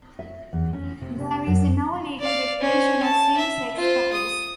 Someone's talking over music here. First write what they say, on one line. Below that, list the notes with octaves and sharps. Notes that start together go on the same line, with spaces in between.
There is no legal recognition of same-sex couples.
E5
E2
C#4
C3
C3
F#2
D5 F5
C#4 C5
A5
E5
F4 C5
D#6